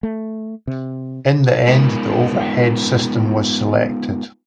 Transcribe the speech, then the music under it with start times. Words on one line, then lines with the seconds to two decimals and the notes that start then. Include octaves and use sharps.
In the end, the overhead system was selected.
0.03 A3
0.67 C3
1.68 G#3 B3 D#4 F4 A#4